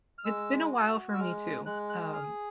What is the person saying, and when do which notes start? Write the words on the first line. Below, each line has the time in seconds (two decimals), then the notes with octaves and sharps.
it's been a while for me too, um,
0.18 F6
0.24 G#3 E6
0.71 F#4
1.14 E6
1.18 G#3 F6
1.66 G#3 F#6
1.89 F#6
2.13 G#4 F6